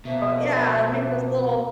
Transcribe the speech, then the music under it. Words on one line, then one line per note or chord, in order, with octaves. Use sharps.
Yeah, and make those little
B2 F3 A#3 E5